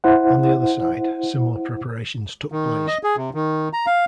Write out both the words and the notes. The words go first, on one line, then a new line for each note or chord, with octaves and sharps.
On the other side, similar preparations took place.
E4 C5 F#5
D#3
D#5
G#4
C3
D#3
A#5
F5